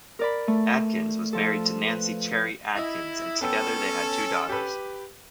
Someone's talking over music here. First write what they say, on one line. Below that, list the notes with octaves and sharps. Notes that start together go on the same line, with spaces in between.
Adkins was married to Nanci Cherry Adkins and together they had two daughters.
A#4 D5 B5
A3
F3 A4
B4
E4 D#5
B3 C#4 A4 G5 E6
G4 B4